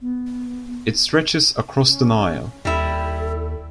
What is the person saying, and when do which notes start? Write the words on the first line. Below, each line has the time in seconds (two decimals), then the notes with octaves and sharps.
It stretches across the Nile.
0.01 B3
1.83 C#4
2.65 D#2 G3 E4 A4